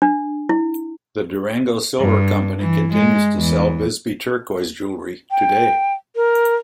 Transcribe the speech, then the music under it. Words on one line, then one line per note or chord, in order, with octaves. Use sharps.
The Durango Silver Company continues to sell Bisbee turquoise jewelry today.
D4
E4
G2
E3
G#3
E2
G5
A#4